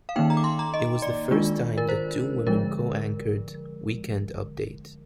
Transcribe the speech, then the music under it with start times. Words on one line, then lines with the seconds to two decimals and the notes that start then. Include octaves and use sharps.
It was the first time that two women co-anchored "Weekend Update".
0.09 F5
0.16 D#3 A#3 D#4 G5
0.30 A#5
0.37 D6
0.44 C6
0.59 A#5
0.74 D#5
1.02 D5
1.31 D#3 G#3 D4 F4
1.78 A#4
1.89 C5
2.47 D3 F3 G#3 A#4